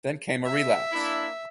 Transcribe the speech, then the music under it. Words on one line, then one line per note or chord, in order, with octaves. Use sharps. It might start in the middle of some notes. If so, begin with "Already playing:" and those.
Then came a relapse.
E5
A#3 D4 E4